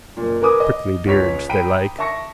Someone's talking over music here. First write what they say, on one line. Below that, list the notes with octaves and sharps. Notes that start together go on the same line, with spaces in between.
Prickly beards they like.
F#1 A#2
A#4 B4 G#5 D6 D#6
D#5
C#2 C#5 B6 F7
G5 A#5 B5 B6 D7 D#7
E5 A5 C#6 A#6 C#7